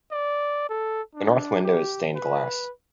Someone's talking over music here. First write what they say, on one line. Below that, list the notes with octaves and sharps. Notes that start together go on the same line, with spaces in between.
The north window is stained glass.
D5
A4
D4
G4
B4